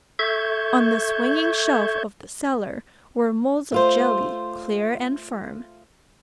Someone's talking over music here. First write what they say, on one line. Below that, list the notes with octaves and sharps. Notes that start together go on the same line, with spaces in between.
On the swinging shelf of the cellar were moulds of jelly clear and firm.
A4 E5 C#6 G6 G#6
A3 F4 C5